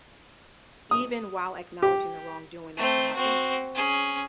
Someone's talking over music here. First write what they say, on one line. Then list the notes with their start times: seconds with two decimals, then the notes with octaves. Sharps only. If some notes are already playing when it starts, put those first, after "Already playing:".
even while acknowledging the wrongdoing that you have done to me.
0.91 D#6
1.82 G4
2.77 A3 C4
3.16 C4 F#4
3.75 C#4 G#4